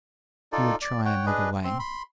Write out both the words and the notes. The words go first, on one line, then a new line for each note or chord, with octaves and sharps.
He would try another way.
D#4 F4 A4 D5
D5
C#5 F#5 G5
D4 G#4 B4 D#5
C4 C6
B5 C6